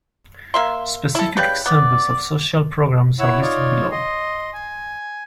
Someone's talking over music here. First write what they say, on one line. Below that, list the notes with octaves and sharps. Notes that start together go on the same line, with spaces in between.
Specific examples of social programs are listed below.
A#3 E5 C6
E4 A4
C#3 G3 B4 G5
B3 D5
E4 C#5 F#5 E6
D#4 F4 C#5 D5
D#5 C6
G#5